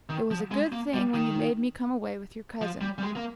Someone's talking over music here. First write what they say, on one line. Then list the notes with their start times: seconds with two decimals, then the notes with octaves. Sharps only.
It was a good thing when you made me come away with your cousin.
0.09 D#3
0.31 F3
0.51 G#3
0.72 A#3
0.94 G3
1.14 D#3
2.61 F3
2.81 G3
2.98 G3
3.03 G#3
3.16 A#3